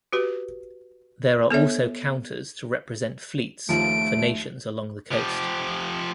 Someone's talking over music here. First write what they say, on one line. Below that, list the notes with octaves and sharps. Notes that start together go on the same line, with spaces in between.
There are also counters to represent fleets for nations along the coast.
F#4 G4 B4
B3 A4 C#5 E5
D#2 F3 A3 D7
F3 G4